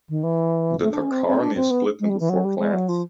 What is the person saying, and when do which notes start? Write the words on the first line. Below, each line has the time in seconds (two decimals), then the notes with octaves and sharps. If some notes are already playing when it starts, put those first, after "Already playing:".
The Tarkani is split into four clans.
0.09 D#3
0.23 E3
0.82 A3
0.92 D4
1.02 C#4
1.11 C4
1.27 C4
1.41 D4
1.56 C4
1.70 B3
2.00 G#3
2.09 G3
2.20 E3
2.29 F#3
2.44 G3
2.58 G#3
2.73 F#3
2.88 F3